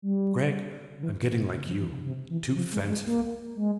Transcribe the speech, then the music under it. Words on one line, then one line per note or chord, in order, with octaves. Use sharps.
Gregg, I'm getting like you--too fanciful.
G3
C#3
E3
C3
C3
C#3
F3
E3
C3
C3
E3
F3
G#3
G#3
A#3
G#3